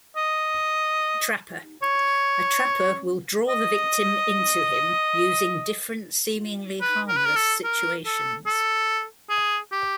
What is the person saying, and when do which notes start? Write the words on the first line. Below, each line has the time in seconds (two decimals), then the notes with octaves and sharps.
Trapper: a trapper will draw the victim into him using different seemingly harmless situations.
0.17 D#5
1.82 C#5
3.49 D#5
6.81 B4
7.08 A#4
7.17 B4
7.25 A#4
7.36 A4
7.64 A#4
8.06 A4
8.46 A4
9.30 G#4
9.72 G4